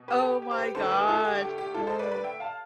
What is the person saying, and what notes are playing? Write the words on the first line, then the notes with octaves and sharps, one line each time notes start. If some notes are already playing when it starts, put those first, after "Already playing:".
Oh, my gosh, no.
Already playing: B2
G4 B4
A4
G4
G4
C5
G4 B4
D2 D3 A3 A4 C5
G4 B4
F4 A4
G4
G4
G4
F4 A4
A4 C5
B4 D5
B4 D5
E5 G5
F5 A5